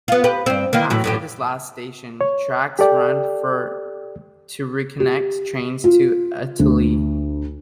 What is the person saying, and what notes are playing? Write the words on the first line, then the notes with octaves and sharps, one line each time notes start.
After this last station, tracks run for to reconnect trains to "Auteuil".
B3 F4
G4 B4
G2 C4
D#3 E3 A#3
A2 E3 F#3
F#2 A2 G4
C#5
G4 A4 D5 G5
G4
F4
D2